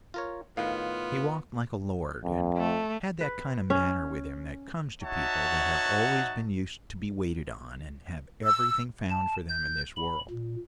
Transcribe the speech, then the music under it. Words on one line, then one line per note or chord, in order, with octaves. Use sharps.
He walked like a lord, and had that kind of manner with him that comes to people that have always been used to be waited on and have everything found for them in this world.
F4 A#4 C#5
A2 D#3 B3 F4 B4 F5
F2
A3
B4
C#4
D#4 F#4 C#5 E5 F#5 A5
E6
A5
G6
B5
A#2